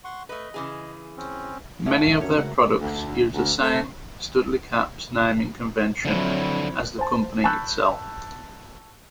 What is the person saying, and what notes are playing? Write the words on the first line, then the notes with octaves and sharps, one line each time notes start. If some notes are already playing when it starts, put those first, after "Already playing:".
Many of their products used the same StudlyCaps naming convention as the company itself.
F#5 C6 C#6
A3 B4 D#5
C#3 E3 G#4
C4 C#4
D3 A3 C#4
D#1 A#1 G#2 E5
E1 C#4 F#4 A#4 C#5
C#3 G#3 A3 F#5
D2
D2
A3
D3 F3 F#3 C4 E4 C#5
C5 A5
A5 B5 C#6 E6 F#6 G6